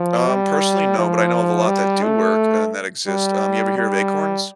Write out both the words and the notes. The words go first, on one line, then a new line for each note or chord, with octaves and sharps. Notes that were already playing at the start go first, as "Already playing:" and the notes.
Um, personally, no, but I know of a lot that do work and that exist, um, you ever hear of acorns?
Already playing: F3
G3
F3
G3
A3
G3
G3